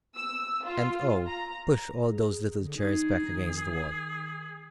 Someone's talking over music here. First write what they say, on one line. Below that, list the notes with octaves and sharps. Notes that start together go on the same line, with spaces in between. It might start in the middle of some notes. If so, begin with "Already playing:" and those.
And oh! push all those little chairs back against the wall.
E6
F4
A#5
G#4
D3
D#4 G#4
D#3